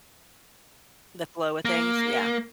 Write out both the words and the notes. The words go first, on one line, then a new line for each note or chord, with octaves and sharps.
The flow of things, yeah.
A#3